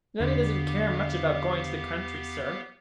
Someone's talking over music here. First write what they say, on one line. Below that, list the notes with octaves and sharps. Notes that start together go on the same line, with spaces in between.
"Nanny doesn't care much about going to the country, sir."
E2 D3 B3 G4 F5